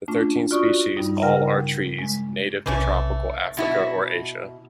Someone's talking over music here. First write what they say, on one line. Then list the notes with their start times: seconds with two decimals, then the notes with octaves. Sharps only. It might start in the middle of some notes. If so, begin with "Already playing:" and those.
The thirteen species all are trees, native to tropical Africa or Asia.
0.08 A3 C#4 D4 F4
0.51 F4 F#4 D5 C#6 D#6
0.97 G2 G3 D#4
1.23 C#3 A#4 F#5 G5 F6
1.99 G#3
2.66 B1 C3 E3 A3 C#4
3.57 B2 E4 F#4